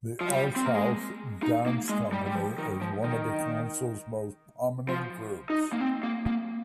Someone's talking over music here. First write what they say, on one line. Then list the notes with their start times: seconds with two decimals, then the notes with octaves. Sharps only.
The Arts House Dance Company is one of the council's most prominent groups.
0.21 F3
0.28 G3
0.56 C4
0.65 A#3
0.74 G#3
1.43 D#4
1.66 A#3
1.89 G#3
2.13 G3
2.26 G3
2.35 F3
2.58 D#3
2.81 F3
3.04 D#3
4.89 F3
5.50 D#4
5.73 A#3
5.81 C4
6.03 A#3
6.27 A#3